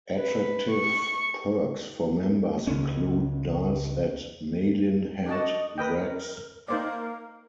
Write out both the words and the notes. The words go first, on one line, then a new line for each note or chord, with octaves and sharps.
Attractive perks for members include dives at Malin Head Wrecks.
B4
C#6
C#2 C#4
D4 F#4 D#5 A5
A#4 B4 D#5 G5
A#3 D#4 C5 D5